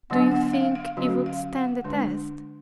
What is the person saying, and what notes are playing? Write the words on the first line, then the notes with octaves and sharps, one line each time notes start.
"Do you think he would stand the test?"
D3 F#3 B3 D4 F#5
F#5
F5
F5
D3 F#3 C#4 F#4
F5
F#5
D3 G#3 D4